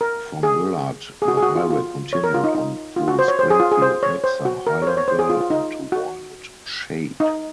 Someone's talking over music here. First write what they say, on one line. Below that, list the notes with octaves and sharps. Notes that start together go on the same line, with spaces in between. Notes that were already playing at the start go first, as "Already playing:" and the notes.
From Willard, the highway continued on through Springfield, Nixa, Highlandville, and to Walnut Shade.
A#4
G#4
G#4
F#4
G#4
F#4
F4
F4
C#5
A#4
F4
D#4
D#4
F4
F#4
C5
C#5
C5
G#4
F4
G#4
C5
C#5
C5
F#4
A#4
C#5
C5
C#5
C5
G#4
F4
F4
D#4
F#4
D#4